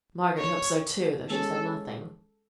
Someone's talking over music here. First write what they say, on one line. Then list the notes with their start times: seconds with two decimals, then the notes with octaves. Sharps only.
Margaret hoped so too, though she said nothing.
0.38 C#5
1.29 G#3 C#4 G#4 A4